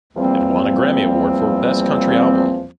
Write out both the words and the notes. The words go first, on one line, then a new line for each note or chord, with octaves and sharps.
It won a Grammy Award for Best Country Album.
E2 F3 G3 A#3 C4